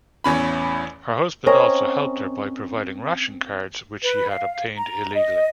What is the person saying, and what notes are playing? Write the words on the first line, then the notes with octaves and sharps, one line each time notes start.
Her husband also helped her by providing ration cards which he had obtained illegally.
A1 E2 C#4 B5
C4 C#4 A#4 D#5
B4
F5
A#5
D#5